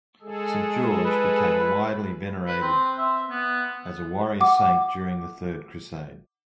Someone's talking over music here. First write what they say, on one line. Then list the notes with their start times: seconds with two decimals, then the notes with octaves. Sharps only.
Saint George became widely venerated as a warrior saint during the Third Crusade.
0.22 G#3 G#4 A4
1.05 B4
2.47 B4
2.61 C4
2.98 E5
3.30 B3
4.40 F#5 D6